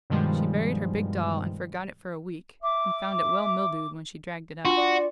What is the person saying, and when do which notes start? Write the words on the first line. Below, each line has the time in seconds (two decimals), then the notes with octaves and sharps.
She buried her big doll and forgot it for a week, and found it well mildewed when she dragged it up.
0.10 G2 B2 D#3 F3 G3 G#3
2.63 E5 D6
4.65 D4 F4 F#4 C6
4.77 D5